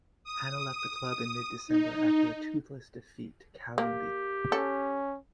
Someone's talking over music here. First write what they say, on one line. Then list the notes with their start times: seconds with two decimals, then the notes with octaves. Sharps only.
Hannah left the club in mid-December after a toothless defeat to Cowdenbeath.
0.24 D#6
1.68 D#4
3.78 A#3 G4
4.52 C#4 A4